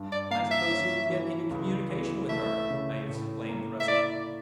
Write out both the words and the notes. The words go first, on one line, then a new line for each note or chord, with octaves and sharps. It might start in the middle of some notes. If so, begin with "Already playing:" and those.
"I suppose you will get into communication with her," I exclaimed presently.
Already playing: G2
D5
A#3 F5
E5
C#4
E3
C#2
E3
A3 E5
C#3
A2
A#3
E5
E4 D5